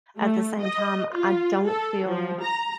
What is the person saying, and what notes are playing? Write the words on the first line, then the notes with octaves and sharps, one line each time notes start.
at the same time, I don't feel
A3
D#5
F4
A4
F3
A#5